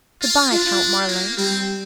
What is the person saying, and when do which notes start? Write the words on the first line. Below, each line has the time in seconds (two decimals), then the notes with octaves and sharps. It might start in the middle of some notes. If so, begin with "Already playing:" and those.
"Good-bye, Count Marlanx."
0.22 F4
0.50 D4 F4
1.08 A#3
1.37 G3 C4